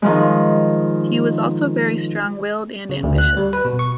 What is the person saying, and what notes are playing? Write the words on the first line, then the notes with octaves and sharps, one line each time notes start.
He was also very strong willed and ambitious.
D#3 F3 G#3
C#3
D2
F#6
G3
B4
B2
C#6